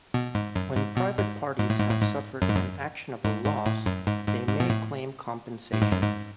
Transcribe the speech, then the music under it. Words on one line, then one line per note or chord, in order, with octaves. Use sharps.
When private parties have suffered an actionable loss, they may claim compensation.
B2
G#2
F#2
G#2
B2
G#2
G#2
A2
G#2
A2
G#2
F#2
G#2
F#2
G#2
G#2
A2
F#2
G#2
G#2
G#2
B2
A2
A2
G#2
F#2
G#2